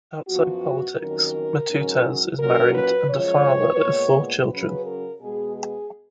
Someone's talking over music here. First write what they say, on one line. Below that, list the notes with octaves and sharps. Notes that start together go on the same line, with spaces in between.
Outside politics Matutes is married and a father of four children.
F#2 F3 B3 F#4
F2 D#3 F#3 C#4 A#4
G#2 F#3 C#4
A#2 F#3 A#3 C#4 A#4
B4
F#2 F3 G#3 C#5
A#2 G#3 B3
C#3 F#3 C#4 B4
A#4
B2 G#3 B3 G#4
G#4